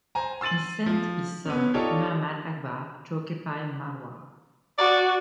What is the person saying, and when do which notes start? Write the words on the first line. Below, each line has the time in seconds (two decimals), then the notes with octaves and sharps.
He sent his son, Muhammad Akbar, to occupy Marwar.
0.15 C5 G#5 A#5
0.41 C6 E6 A6 D#7 F#7
0.86 F3
1.45 B3 C#4
1.74 D#4 F4 G4 A4 C#5 D5
4.78 F#4 D5